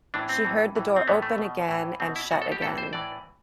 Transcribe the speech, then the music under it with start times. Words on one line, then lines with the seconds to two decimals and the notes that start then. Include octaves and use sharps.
She heard the door open again and shut again.
0.14 A2 E3 D4
0.29 C4
0.45 A2 E3
0.76 A2 E3
0.96 C4
1.08 A2 E3 B3
1.22 A3
1.38 B2
1.69 A2 E3
2.00 B2 C4
2.16 E4
2.31 B2 F#4
2.42 A4
2.52 G4
2.62 A2 A4
2.66 E3
2.78 C5
2.93 A2 E3 D5